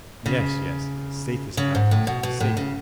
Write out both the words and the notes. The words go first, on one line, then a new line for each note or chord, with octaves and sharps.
"Yes, yes, yes; safe as houses--safer."
C#3
C#3
G#2
A2
B2
B2
A2
C#3